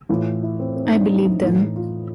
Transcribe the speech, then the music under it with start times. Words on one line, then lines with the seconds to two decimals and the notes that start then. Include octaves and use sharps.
I believe them.
0.09 A2 E3 F4
0.43 E4
0.60 C4
0.76 C4
0.86 D#4
0.93 D4
1.10 D#4
1.43 A2 E3
1.76 F4